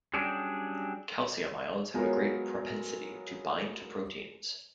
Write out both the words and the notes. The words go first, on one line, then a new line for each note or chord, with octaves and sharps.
Calcium ions have a great propensity to bind to proteins.
F#3 G3 C#4 D4 G4 G#4
F#3 G#3 B3 F4 A#4 C#5